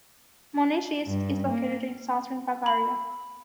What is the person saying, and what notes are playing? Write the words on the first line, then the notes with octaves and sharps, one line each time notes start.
Munich East is located in southern Bavaria.
G2
A#3
B5